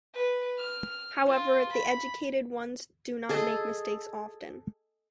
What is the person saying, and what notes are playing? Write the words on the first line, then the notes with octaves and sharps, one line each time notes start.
However, the educated ones do not make mistakes often.
B4
F6
F4
B5
G#4 A4 D#5